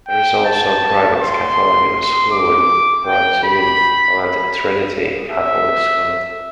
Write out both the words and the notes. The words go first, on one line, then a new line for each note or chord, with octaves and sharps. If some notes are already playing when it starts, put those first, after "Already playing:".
There is also a private Catholic school in Protivin called Trinity Catholic School.
G5
A5
C6
C6
D6
G5
B5
B5
E5